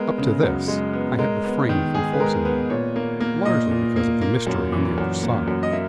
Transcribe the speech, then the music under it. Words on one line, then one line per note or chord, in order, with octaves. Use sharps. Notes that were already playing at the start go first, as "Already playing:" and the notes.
Up to this, I had refrained from forcing them, largely because of the mystery on the other side.
Already playing: G#3 B3 A#4
C#3
F#2
G#3
B3
G#3 A#4
B3
D#3
G#2 G#4
B4
G#3 A#4
B3 B4
A#2 C#5
A#3
A#3
A#2 D#5
A#2
A#3
A#3
F#2
E3
F#2
A#3
F#2
D#5
A#3 E5